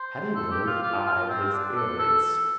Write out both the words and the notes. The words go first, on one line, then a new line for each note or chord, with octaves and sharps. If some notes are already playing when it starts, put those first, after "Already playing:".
Paddy Leonard eyed his alemates.
Already playing: C5
A4
G4
F4
F4
F4
C4
D4
A4
A4